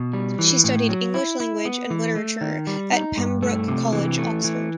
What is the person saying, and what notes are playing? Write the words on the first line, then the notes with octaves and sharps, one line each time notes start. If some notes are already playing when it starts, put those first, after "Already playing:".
She studied English language and literature at Pembroke College, Oxford.
Already playing: B2
G3
E3
A2
F#3
E4
E4
B3
E3
A3
D#3
G3
D#4
G2
A3
C3
E3
A3
E3